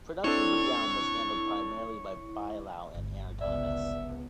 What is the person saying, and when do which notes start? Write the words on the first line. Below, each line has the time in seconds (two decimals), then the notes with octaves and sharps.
Production for the album was handled primarily by Bilal and Aaron Comess.
0.24 C4 D4 E4 A4 C#5
2.94 G1 D2
3.41 C#2 B3 D5 E5